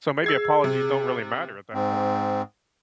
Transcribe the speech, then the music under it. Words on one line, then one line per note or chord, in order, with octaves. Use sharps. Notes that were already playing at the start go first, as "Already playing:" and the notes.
so maybe apologies don't really matter at that point.
G#4 E6 G#6 C7
C3
G#2 C4